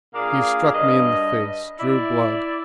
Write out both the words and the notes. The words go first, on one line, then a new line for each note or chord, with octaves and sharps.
He struck me in the face, drew blood.
A#2 A#3 D4 G#4 F5
G2 D#5
E4 D5